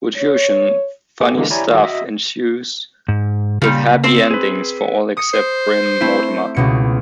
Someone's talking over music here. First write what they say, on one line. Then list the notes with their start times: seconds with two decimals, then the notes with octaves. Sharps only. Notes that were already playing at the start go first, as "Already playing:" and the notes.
Wodehousian funny stuff ensues, with happy endings for all except Bream Mortimer.
0.17 C#5
1.21 A3 A#3 G4 G#4
1.35 D3 E3 G#3 A#3 D4
1.50 E4 G4 C#5 D5 G#5 A#5
1.67 D#3 G3 A3 F#4
1.84 F#4 D#5 E5
3.08 G#2
3.62 A#2 C#3 G3 A#3
4.04 C4 C5
4.31 G#4 B4
5.17 D#6 C#7
5.34 C5
6.01 A3 C4 E4
6.55 C#2 B2 C#7